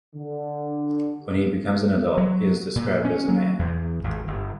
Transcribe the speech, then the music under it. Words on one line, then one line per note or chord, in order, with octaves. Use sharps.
When he becomes an adult, he is described as a man.
D3
F#3
A#2
C#4
F#3
E2
G#1
G1